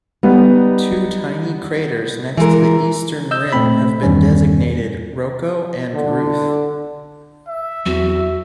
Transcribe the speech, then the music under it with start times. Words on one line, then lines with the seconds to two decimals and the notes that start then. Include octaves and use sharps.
Two tiny craters next to the eastern rim have been designated Rocco and Ruth.
0.23 G3 B3 D#4
2.37 E3 G#3 A#4
3.31 D#5 E6 G6
3.53 A#2 A3 C4 B5
4.03 E2 G2 D#3 G3 C#4
5.94 D3
7.49 E5
7.86 E2 F#3 C4 F#4